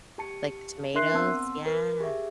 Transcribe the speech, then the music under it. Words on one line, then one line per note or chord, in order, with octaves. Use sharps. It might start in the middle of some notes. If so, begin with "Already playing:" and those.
like the tomatoes. Yeah.
G4 A5 C#7
D4 A#4 E5 C6 F#6 C7
B3 C4 A5 C6 E6
A#4 B4
G4 G#4 E5